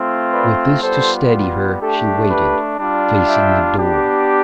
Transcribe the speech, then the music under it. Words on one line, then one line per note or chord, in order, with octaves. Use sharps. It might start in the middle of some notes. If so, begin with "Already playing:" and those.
With this to steady her, she waited, facing the door.
Already playing: A3 C4 F4
B4 D5
G3 B3 F4 A4 C5
A3 D4 G4 A4
G4 B4
G3 D4 F4
E5 G5
B3 D4 G4